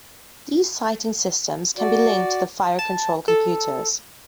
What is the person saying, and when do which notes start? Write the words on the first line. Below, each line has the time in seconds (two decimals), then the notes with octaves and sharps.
These sighting systems can be linked to the fire control computers.
1.78 F#4 D5
2.79 A5
3.28 A4